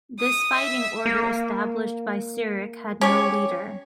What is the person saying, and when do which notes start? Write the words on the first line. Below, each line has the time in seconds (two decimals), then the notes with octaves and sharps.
This fighting order established by Cyric had no leader.
0.19 D#6
0.55 E5
1.06 A#3
3.01 C#4 G4 C#5